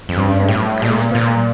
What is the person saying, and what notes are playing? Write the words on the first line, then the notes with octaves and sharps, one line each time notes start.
But, yeah, I never I
F2
G2
A2
A#2
A#2